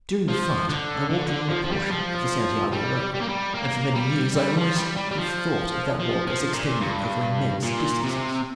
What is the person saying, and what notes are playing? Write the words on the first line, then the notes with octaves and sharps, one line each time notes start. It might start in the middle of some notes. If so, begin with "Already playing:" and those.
During the fight I walked along a portion of the Santiago road, and for many years I always have thought of that walk as extending over immense distances.
F3
D3
D3
D3
F3
F3
G3
F3
G3
G3
A#3
G3
A#3
G3
G3
F3
G3
G3
G3
F3
F3
F3
A#2
G2
A#2
C3